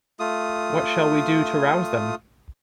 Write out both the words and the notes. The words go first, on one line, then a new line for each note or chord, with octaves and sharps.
What shall we do to rouse them?
A3 F4 D#6